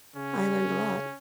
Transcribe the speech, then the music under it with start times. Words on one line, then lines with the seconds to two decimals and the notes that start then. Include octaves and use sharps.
I learned a lot.
0.15 C#3 C#4
0.65 C#3